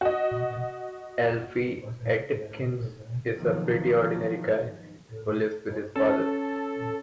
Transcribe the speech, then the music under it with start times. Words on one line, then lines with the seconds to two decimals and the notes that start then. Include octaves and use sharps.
Alfie Atkins is a pretty ordinary guy, who lives with his father.
0.01 F#4 D#5
3.37 B2 D#3 F3 F#3 A#3
5.95 C#4 A4